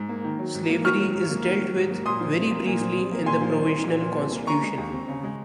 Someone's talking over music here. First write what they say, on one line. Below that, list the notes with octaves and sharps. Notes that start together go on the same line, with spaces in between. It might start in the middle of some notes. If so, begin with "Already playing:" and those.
Slavery is dealt with very briefly in the Provisional Constitution.
Already playing: G#2
A#3
D#3
F#3
G#2
A#3
D#3 C#6 F6
F#3
G#2
A#3
D#3
F#3
G#2
A#3
A#2 C6 D#6
F3
C2
A#3
A#2
F3
C2
A#3
A#2 G#5 C6
F3
C2
A#3
A#2
F3
C2
A#3
C#3 A#5 C#6
G#3
D#2
C4
C#3
G#3